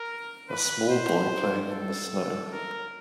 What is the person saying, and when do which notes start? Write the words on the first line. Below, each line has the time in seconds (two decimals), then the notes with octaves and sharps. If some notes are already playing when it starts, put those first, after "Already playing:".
A small boy playing in the snow.
Already playing: A#4
0.50 B4
0.90 C5
1.71 A4
2.52 A#4